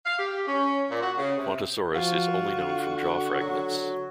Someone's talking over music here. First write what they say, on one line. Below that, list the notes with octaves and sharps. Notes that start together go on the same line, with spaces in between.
"Qantassaurus" is only known from jaw fragments.
F5
G4
C#4
A#2
F#4
C#3
C3
F3 F4 F#4
D3
F#3